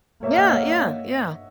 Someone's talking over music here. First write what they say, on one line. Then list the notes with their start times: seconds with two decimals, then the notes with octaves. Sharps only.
Yeah, yeah, yeah,
0.23 A#3 C#5 E5
0.36 D#5 F#5
0.49 C#5 E5